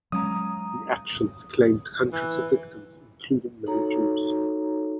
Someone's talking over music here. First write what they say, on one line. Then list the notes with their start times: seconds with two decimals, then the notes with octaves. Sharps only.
The actions claimed hundreds of victims, including many Jews.
0.12 F#3 G#3 C#4 C#5 F5 A#5 D#6
2.13 E3
3.67 D#4 F#4 A4 C#5 A#5